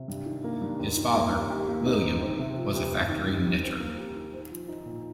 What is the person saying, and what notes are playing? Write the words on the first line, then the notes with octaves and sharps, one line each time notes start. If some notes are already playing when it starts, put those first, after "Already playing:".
His father, William, was a factory knitter.
Already playing: C3
G2
D#3
A#3
G2
D#2
D#3
A#3
D#2
G4
A#3
D#4
D#3
C4
C3
F3
C2
D#2
D#3
G3
D#2
C5
A#3
G4
D#3
C5
F3
D#4
A#2